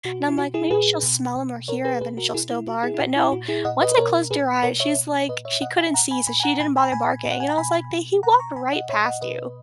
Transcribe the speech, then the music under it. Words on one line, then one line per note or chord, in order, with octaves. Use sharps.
and I'm like, "Maybe she'll smell 'em or hear 'em, then she'll still bark," but, no, once I closed her eyes, she's, like she couldn't see, so she didn't bother barking, and I was, like, "They he walked right past you."
B2 F#4
E4
B2 F#4
E4 G#4
A#2 G#4 B4
B2
B2
B2 A#4 C#5
G#4 B4
B2 G#4 B4
F#4 A#4
B2 E4 G#4
E4
B2 F#4
E4 G#4
E4
A#2 F#4
E4
A#2 F#4
E4 G#4
A#2 D#5 F#5
B4 D#5
B4
B2 A#4 C#5
A#2 G#4 B4
B2 A#4 C#5
C#5 E5
B2
A#2 B4 D#5
C#5 E5
B2 D#5 F#5
E5 G#5
A#2 F#5 A#5
G#5 B5
A#2 G#5 B5
G#5
F#5 A#5
A#2 G#5 B5
G#5 B5
A#2 G#5 B5
A#2
F#5
G#5
A#5
B2 G#5 B5
B2
B2 F#5 A#5
A#5 C#6
B2 G#5 B5
D#5 F#5
A#2 C#5 E5
D#5 F#5
B2 B4 D#5